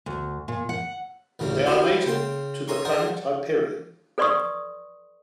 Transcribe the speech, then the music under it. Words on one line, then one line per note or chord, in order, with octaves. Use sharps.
They are native to the planet Hyperion.
D2
A#2
F#5
A1 D2 G2 C#3 A#3 C#4
A#3 C4 E4 F#4 G4 C5
C#3 G5 C6
C#5 G#5 A#5 C6 C#6
D4 G#4 A#4 C5 F#5 A5
A4 B4 D5 C6 C#6 D#6